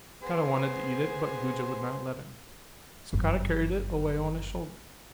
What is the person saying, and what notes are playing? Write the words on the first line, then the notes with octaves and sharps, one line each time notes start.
Kara wanted to eat it but Guja would not let him, so Kara carried it away on his shoulder.
B3 G#4 C5
G1 F#2